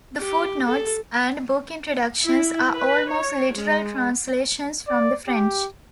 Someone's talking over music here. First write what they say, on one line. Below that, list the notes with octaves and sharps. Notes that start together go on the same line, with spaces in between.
The footnotes and book introductions are almost literal translations from the French.
G4
A4
E4
B4
C#5
G#3
D5
G4